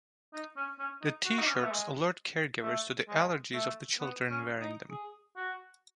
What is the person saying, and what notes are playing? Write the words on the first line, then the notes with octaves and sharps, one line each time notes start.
The T-shirts alert caregivers to the allergies of the children wearing them.
D#4
C#4
C#4
D#4
F#4
D#4
C#4
B3
A3
G#3
A3
G#3
A3
B3
C#4
D#4
G#4
F#4